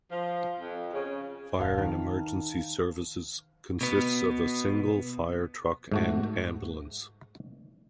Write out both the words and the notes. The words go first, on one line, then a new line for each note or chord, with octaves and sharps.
Fire and emergencies services consists of a single fire truck and ambulance.
F3
F2
C#3
D#1 F5 A5
D#3
B2 B3
G#2 A3 F#4